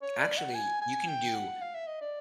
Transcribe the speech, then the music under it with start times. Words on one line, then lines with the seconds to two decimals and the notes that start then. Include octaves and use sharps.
Actually, you can do
0.02 C#5
0.20 D5
0.38 F#5
0.55 G#5
0.82 G#5
1.08 G5
1.35 F#5
1.61 F5
1.75 E5
1.87 D#5
2.01 D5